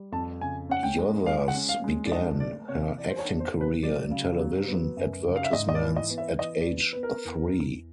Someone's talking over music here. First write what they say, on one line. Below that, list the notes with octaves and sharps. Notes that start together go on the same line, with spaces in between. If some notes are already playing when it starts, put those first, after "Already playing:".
Yothers began her acting career in television advertisements at age three.
Already playing: G3
F2 A5
C#3 G#5
C#4 F#5
G5
G#3
G#3 F5
F#5
C#4
F5
G#3
D5
D4 D#5
A3 D5
C3 C#5
E3 D5
C5
C#5
D4
C5
C3
B4
F#3 D5
C#3
F#3
B3
F#2
C#3
F5
E5
G#2 D#5
D#5
D5
E3
D#5
B3
E5
E3 D#5
D5
B3
B3 B4
A#4
E2
E2